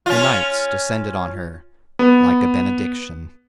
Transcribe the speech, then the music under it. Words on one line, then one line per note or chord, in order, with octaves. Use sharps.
The nights descended on her like a benediction.
C#4 F4
B3